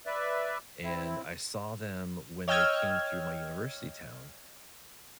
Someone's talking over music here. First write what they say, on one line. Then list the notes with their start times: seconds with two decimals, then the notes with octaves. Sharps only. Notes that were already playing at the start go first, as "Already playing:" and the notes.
and I saw them when they came through my university town
0.06 B4 D5 E5
0.83 C4 E4
2.48 C#5 D#5 G5 E6 F6 G#6